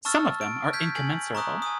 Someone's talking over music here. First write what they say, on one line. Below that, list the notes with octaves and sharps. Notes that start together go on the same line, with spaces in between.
Some of them are incommensurable.
A5 C#6 E6 F6 A6
D7
F6 G6 G#6 B6
G#5 F#7
A#5 C#6 D#6 F#6
G#5 D#6